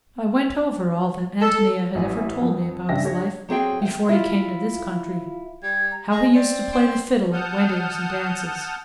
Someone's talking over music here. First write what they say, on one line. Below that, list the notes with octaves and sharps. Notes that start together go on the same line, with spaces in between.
I went over all that Antonia had ever told me about his life before he came to this country; how he used to play the fiddle at weddings and dances.
A4
A1 E4 E5 G#5
F2
G2 C#3 D4 E5 G5 A#6
D4 G4 C#5
F#3 C4 G#4 G5
F#5 G5
E4 F4
G3 G#6
A#5
G#4 D#5
C4 D5
C4
F#5 A5 D#6 F6 G6